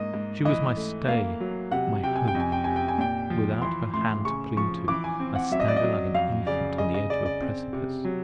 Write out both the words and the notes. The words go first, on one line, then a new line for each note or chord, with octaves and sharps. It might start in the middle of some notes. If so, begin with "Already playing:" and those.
She was my stay, my hope: without her hand to cling to, I stagger like an infant on the edge of a precipice.
Already playing: G#2 A#3 D#5
G#2
E3 D#5
A3
A#3 F5
F#3
C3 F#5
C3 G5
G#5
G5
F2
G#5
G5
C3 G#5
G5
G#5
A#2 G5
F3
E3 C6
A2 C6
C#3 C#6
F3 C#6
E3 D6
G#5
C4
F#5
F#3 E5
D#5
D5
D#5
F#3
F2 F5
C#3 D5
C#3 D#5
D#5
C#3 D5
D5
C4
C3
F#3